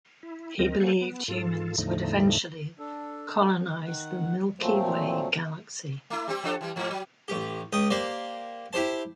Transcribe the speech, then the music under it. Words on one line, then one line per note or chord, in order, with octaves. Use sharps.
He believed humans would eventually colonize the Milky Way galaxy.
E4
D2 C4 A#4 D#5
A#3 A4 C5 F#5 G#5
B3
G#2 F4 A4
E2 A2 D3 F3 A3 D#4
D4 A4
D#3 F#5
A#2 F3 F#3 A3 C4
A3 E4
G3 C4 G4
F3 D4 A4
E3 G3
G#2 F3
F#3
A1 G4
C#2 G5 D#6
A#3 G4 C5 D5
E4 G4 C5 A5